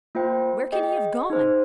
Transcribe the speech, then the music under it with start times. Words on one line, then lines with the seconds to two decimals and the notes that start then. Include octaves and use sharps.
Where can he have gone?
0.15 A#3 F4 C5 G5
0.72 G#4 D#5 G5
1.30 D#4 G#4 C5